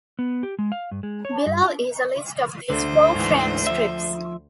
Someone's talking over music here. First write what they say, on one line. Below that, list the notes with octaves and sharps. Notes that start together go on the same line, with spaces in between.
Below is a list of these four frame strips.
B3
G4
G#3
F5
G2
G#3
C#5
G2
F4
D2 D3 C5
G#2 E3
F3 E5